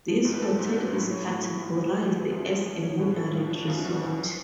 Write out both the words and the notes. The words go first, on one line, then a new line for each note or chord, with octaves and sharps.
This hotel is categorized as a 'moderate' resort.
F3
G#2
B4
F3 A4
G#2
A4
F#3 B4
A2
F#3 C#5
A2
F#3
G#2
F#3 B4
G#2
F3 B4
F#2
F3
F#2
F3 C#5
A2
F3 A4
A2 F4
F3 D4
D4
F#2 F4
F3 F#4
F#2
F3